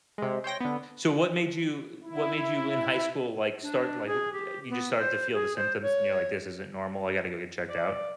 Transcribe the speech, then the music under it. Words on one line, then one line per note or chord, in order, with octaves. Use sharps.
So, what made you eh, what made you in high school, like, start, like, w the a you just started to feel the symptoms, and you're, like, "This isn't normal. I gotta go get checked out?"
C3 G#3
C5 C#5 G5 A#6
D3 B3
E4
D4
G#4
G4
B3
C5
G#4
C5
C#5
D5